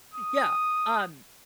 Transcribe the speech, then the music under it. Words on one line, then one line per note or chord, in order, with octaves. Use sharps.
Yeah, um
D#6